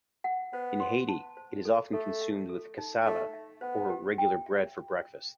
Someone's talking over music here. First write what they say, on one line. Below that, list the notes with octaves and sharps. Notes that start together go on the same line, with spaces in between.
In Haiti, it is often consumed with cassava or regular bread for breakfast.
F#5
B3 C5
C6
A5
C5
A4
A3 A4
E5
A4
D#4
A3 D#4
E5
B3 C5
G4
G5
E5